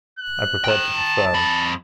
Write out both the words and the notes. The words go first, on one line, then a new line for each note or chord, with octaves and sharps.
I prepared to be firm.
F#6
G5 A#5
A5
F2 B5